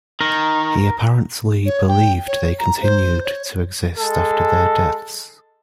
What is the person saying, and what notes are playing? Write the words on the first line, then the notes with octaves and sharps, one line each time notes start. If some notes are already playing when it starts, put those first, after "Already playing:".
He apparently believed they continued to exist after their deaths.
D#3 A#4
C#5
G5
C#5
A#5
C5
C#5
G#3 A4